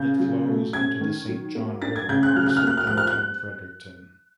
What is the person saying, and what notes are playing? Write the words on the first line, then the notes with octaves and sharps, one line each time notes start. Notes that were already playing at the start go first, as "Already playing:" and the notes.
It flows into the Saint John River opposite downtown Fredericton.
Already playing: C#3 G6
F#3
A3
C#4 G#6
D#3
F#3
A#3
D4 A6
G#6
C#3 G6
F#6
F#3 F6
F#6
F6
A#3 F#6
F6
F2 F#6
F6
F#6